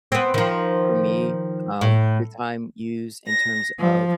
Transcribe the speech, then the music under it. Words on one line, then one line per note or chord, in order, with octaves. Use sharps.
for me, um, the time used in terms of,
B3 C4
D#3 F3
A2
A#6
F3